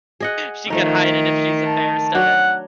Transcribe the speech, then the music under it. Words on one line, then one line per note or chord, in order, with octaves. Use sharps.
she could hide it if she's embarrassed of it.
G#4 D#5 F#5
D#3 F3 A3 D#4
A5
F#3 D4 F#5